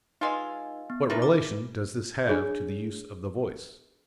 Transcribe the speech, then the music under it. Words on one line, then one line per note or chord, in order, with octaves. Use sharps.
What relation does this have to the use of the voice?
G#3 D#4 F4 B4 D#5
B3
D#4 E4 A#4 B4 E5
D6
D4 G#4 C#5